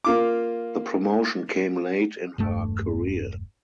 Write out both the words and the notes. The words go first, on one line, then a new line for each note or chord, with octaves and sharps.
The promotion came late in her career.
A#3 F4 D6
E1 G2 A3